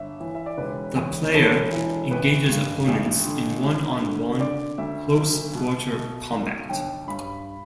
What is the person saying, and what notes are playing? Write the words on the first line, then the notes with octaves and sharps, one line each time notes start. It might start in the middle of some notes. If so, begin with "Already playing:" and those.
The player engages opponents in one-on-one close quarter combat.
Already playing: G1 E5
E3
E5
D5
E1 B4
E2
E1 A4
E3
A1 B4
G2
A1
D3
D2
D3
D3 D5
D2 E5
B1
B2
B2
B1
G1 G5
G2 B5